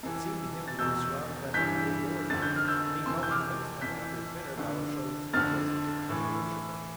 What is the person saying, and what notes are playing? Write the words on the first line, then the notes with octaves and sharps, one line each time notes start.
It seemed to him that he was surrounded by men who adored him: and he felt convinced that, after his dinner, Balashev too was his friend and worshiper.
F2 E3
A6
E2 B2 E6 G6
G2 E3 G6 B6
F2 D3 A6
G6
F6
E6 G6
F2 C3 E3 C6 E6
G6
D6 F6
F2 E3 G6 B6
F2 D3
F2 D3 F6 A6
A2 E3